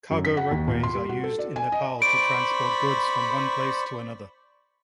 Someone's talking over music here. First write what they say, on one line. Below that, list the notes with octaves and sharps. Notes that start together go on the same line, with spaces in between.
Cargo ropeways are used in Nepal to transport goods from one place to another.
F#2
B6
F#5
D#2
A#2
C6
G3
F#4
A4
D5
G#5
D#5
C5 D5 B5 C#6 D7